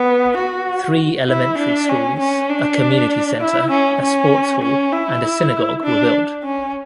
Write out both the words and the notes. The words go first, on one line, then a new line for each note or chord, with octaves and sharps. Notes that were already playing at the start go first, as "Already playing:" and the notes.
Three elementary schools, a community center, a sports hall, and a synagogue were built.
Already playing: B3
F#4
E4
D4
C#4
C#4
D4
E4
C#4
C#4
C#4
E4
D4
C#4